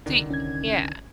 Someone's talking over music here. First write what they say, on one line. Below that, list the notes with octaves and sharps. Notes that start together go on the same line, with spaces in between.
See yeah.
C2 D3 D#3
C#4 G#6